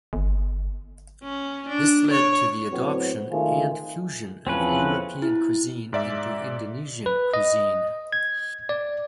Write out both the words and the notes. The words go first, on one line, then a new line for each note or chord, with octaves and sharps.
This led to the adoption and fusion of European cuisine into Indonesian cuisine.
G1
C#4
D4
C#5
A2 F#3 B3 C4
G#1 D#3 A3 F4 G#4
E2 F3 C4 C#4 B4
E4
G#2 D5 E5
B4
D#5
G#6
D5